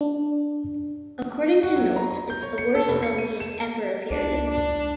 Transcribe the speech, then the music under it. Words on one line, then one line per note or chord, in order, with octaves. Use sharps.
According to Nolte, it's the worst film he has ever appeared in.
D4
F#4
F#3
A#5
A#5
G6
C#5
C#7
A4
F1
C#7
D#7
E7
C#2 D4
D4